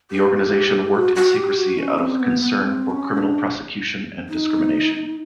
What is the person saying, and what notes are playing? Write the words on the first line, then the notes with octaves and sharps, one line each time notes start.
The organization worked in secrecy out of concern for criminal prosecution and discrimination.
G4
F#4
F#4
G4
F#4
C#4
C4
B3
B3
C4
C#4
D4
D#4